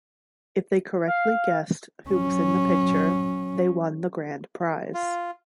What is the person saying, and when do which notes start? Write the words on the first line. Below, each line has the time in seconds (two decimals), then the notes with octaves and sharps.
If they correctly guessed who was in the picture, they won the grand prize.
1.07 F5
2.09 F#3 C#4
4.94 F4